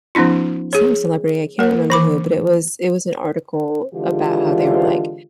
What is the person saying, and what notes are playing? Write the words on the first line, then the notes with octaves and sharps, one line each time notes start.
some celebrity, I can't remember who, but, it was it was an article about how they were, like,
F3 B3 C#4 D#4 F4
G#4 C#5
A#3 A#4
E3 B5 D6
D3 E3 G#3 F4 G4